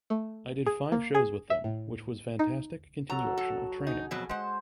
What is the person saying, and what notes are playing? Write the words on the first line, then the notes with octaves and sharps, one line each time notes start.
I did five shows with them which was fantastic continuation of training.
A3
G#4
A#3
G#4
E5
A2
D#4
F#3 A4 A#5
A4 A#5
D#4 G#4
F2 B2 F#3
G#3 C5 F#5